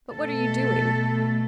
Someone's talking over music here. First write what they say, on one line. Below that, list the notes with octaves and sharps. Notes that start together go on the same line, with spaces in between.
But what are you doing?
B2 A3 A4